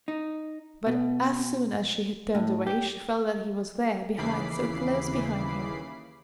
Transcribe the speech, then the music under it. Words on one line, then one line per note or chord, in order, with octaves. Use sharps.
But as soon as she had turned away she felt that he was there, behind, so close behind her.
D#4
B2
A2
G4
D#2 C#3 E3 B5 D6 C7